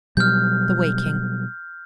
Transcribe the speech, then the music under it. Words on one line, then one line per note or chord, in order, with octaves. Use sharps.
The Waking.
B2 F#3 G3 F6 G6